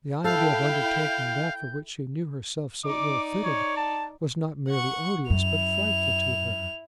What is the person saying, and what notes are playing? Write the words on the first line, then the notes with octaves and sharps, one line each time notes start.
The idea of undertaking that for which she knew herself so ill fitted was not merely odious but frightful to her.
E4 A4 F5 G5 G6
D#4 D5 D6
C#5
A5
F#5 C#6
F#2 E4 F7